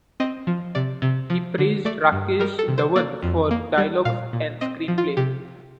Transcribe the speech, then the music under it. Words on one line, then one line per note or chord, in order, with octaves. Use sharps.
He praised Rakesh Dhawan for dialogues and screenplay.
C4 D#5
F3
C3 D5
C3
F3
D3
A3 D5
G2
G3 A#4
A4
C3
C5
A#3 D5
F2
A#3
G3
A#2 F5
A#2
C4 D#5
F3
F4
C3 G4